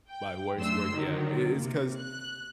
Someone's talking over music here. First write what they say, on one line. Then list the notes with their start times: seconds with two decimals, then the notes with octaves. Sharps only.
My worst work yet, i it's 'cause
0.10 G5
0.57 F#2 A3 D4 C6 E6
0.93 D3 D#3 F#3
1.56 C3 A#3
1.99 F#6